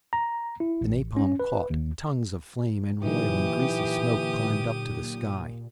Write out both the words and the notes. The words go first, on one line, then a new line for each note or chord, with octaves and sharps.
The napalm caught, tongues of flame and roiling, greasy smoke climbed up to the sky.
A#5
E4
A1
C#4
B4
D#2
A#2 D3 E3 F#3 D#4 G4 D#6